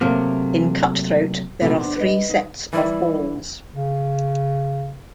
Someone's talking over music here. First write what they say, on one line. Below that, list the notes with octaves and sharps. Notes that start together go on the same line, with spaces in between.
In cutthroat, there are three sets of balls.
C3 F#3 A3 A#3
F2 C3 E3 F#3 A3 C4
E2 D4 C5
B4 D#5
D#4
E3 G3 E4 D5
C#3